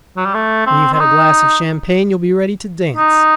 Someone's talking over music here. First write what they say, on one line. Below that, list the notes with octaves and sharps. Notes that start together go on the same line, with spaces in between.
When you've had a glass of champagne, you'll be ready to dance.
F#3
G3
A3
C4
C4
D#4
D#4